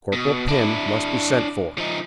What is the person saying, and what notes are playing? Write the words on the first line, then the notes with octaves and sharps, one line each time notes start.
Corporal Pim must be sent for.
B2
D4 E4
F3 D#4